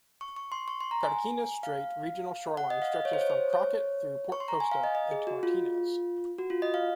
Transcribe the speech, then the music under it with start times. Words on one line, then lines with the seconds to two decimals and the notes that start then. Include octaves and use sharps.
Carquinez Strait Regional Shoreline stretches from Crockett through Port Costa and to Martinez.
0.21 C#6
0.36 C#6
0.52 C6
0.68 C#6
0.80 C6
0.91 A#5
1.03 G#5
1.63 F5
2.57 F#5
2.70 D#5
2.82 F5
2.93 D#5
3.05 C#5
3.13 C5
3.21 C#5
3.30 C5
3.53 C#5
4.32 C#6
4.40 C6
4.48 A#5
4.60 G#5
4.71 F5
4.84 D#5
4.95 D#5
5.11 G#4
5.27 F#4
5.43 F4
6.38 F#4
6.50 F4
6.62 D#5
6.74 F5